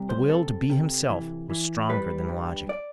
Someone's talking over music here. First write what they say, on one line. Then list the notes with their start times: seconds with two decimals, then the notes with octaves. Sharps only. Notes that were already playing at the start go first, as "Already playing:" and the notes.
But the will to be himself was stronger than logic.
Already playing: C3 G3
0.09 C5
0.29 C3 A4
0.70 C3
1.09 E3
1.50 E3
1.89 G3 B4
2.29 G2
2.69 D5